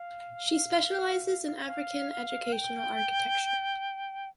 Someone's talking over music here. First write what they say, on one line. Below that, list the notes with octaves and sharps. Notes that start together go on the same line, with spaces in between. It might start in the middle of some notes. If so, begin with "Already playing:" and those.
She specialises in African educational architecture.
Already playing: F5
F5
G5